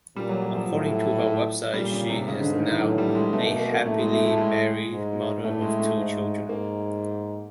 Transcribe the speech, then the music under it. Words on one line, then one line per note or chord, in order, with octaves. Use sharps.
According to her website, she is now a happily married mother of two children.
A#2 G3
F#3
F#3
F3
A2
A#2 G3
C#3
C3
G#2 C#3
D3
D#3
E3
A2 F#3
G3
G#3
B2 A3
A#3
A#3
A#3
A2 A3
G#3
A3
A3
G#3
G#2
A2 A3
G#3
A3
G#2
G#2 A#3